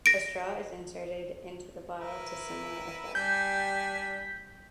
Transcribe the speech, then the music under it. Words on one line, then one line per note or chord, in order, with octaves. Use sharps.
A straw is inserted into the bottle to similar effect.
A#6 D7
E4 A#4 B4
G3 D4 G#5 G6 B6